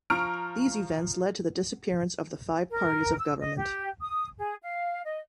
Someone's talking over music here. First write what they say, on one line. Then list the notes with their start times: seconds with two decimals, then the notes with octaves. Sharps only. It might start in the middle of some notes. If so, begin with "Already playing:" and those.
These events led to the disappearance of the five parties of government.
0.10 F3 A#5 C#6 F6 D7
2.70 A#4
3.19 E6
3.40 D#5
3.56 G4
4.01 D#6
4.38 G#4
4.62 F5
5.03 D#5